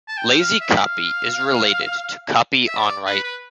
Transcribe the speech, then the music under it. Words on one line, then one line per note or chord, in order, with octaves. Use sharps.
Lazy copy is related to copy-on-write.
A5
G5
F5
E5
F5
E5
D5
B4
B4